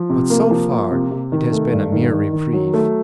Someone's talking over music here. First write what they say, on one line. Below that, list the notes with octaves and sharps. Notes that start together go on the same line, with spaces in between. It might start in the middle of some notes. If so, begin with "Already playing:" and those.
But so far, it has been a mere reprieve.
Already playing: F3
C3
A#3
F3
A#3
C3
C3
D#3
A3
G2
D#3
D#3
D#3
F#3
A3